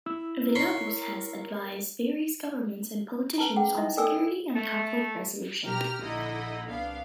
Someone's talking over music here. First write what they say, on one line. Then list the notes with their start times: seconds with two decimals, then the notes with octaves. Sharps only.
Villalobos has advised various governments and politicians on security and conflict resolution.
0.06 E4 E6
0.39 A#4
0.55 C#5 B5 C6
3.38 C#4 B4 A5 A#5
3.56 G#4 F#5 G5
3.77 D#4 E4 D#5 E5
3.97 A4 A#4 D5 G5 G#5 E6
4.56 A3
5.64 B2 G4 A#4 A#5 F6
6.03 A#1 D3 D#4 E4 D#5
6.67 C2 B3 D4 F5